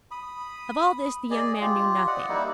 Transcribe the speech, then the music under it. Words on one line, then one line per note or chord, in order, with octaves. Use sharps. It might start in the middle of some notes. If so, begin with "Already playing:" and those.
Of all this the young man knew nothing.
B5 D#6
G#4 D5 D#5
F4 G4
D5 D#5 F#5
G3 A#3 D#4 E4